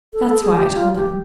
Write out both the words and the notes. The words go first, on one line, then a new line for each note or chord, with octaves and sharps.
That is why I told him...
A4
A4
G#4
G4
F4
G4